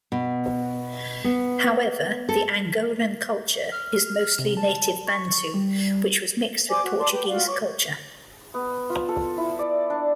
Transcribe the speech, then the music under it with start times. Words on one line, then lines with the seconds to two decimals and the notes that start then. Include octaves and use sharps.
However, the Angolan culture is mostly native Bantu which was mixed with Portuguese culture.
0.12 B2
1.24 B3
2.29 A4
3.72 F6
4.39 C3
4.57 A5
5.07 C#6
5.54 G3
6.69 C5 D5 G#5 D6
6.84 F#4
7.00 D5 A5 C6 D6
7.12 B4 G5
7.27 F4 F#4 D5 F5
7.47 C#5 C#6 D6
8.54 B3
8.90 F4
9.09 A4
9.38 E4
9.59 D5
9.90 D4